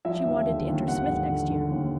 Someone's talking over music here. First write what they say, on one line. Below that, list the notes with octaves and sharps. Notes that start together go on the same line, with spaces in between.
She wanted to enter Smith next year.
F3 E5
D#2
D3
D#2
D#2 F#5
D3
D3
D3
D#2